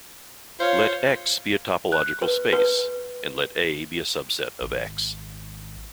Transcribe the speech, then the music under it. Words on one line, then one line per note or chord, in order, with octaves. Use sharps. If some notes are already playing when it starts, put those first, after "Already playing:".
Let "X" be a topological space, and let "A" be a subset of "X".
F4 C5 C#5
F#6
B4
B4
G#1